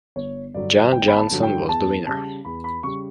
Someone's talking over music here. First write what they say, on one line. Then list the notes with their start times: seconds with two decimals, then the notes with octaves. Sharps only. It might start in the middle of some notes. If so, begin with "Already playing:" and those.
Jon Jonsson was the winner.
0.16 G1 C#5
0.54 G2 D3 F#3 D5
0.92 G1 G5
1.08 B5
1.18 A5
1.31 G2 D3 F#3
1.43 G5
1.69 E2 A5
2.07 C#3 G3 A5
2.45 E2 B5
2.64 B5
2.83 C#3 G3 C#6